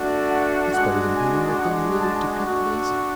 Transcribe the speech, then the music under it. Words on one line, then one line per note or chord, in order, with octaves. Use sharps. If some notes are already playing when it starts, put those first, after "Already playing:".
That's better than painting the thing merely to pique Maisie.
Already playing: A3 D4 F#4
F#5
G#3 D4 F#4 F#5
G#5
G#3 D4 F#4 F#5
A5
A3 D4 F#4